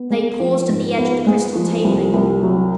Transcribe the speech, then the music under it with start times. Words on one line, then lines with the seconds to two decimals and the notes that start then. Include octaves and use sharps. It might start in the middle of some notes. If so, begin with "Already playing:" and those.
They paused at the edge of the crystal tabling.
Already playing: B3
0.10 G#3
0.40 F3
0.69 G#2
0.98 B3
1.27 G#3
1.55 F3
1.84 C2
2.14 C2
2.43 F#3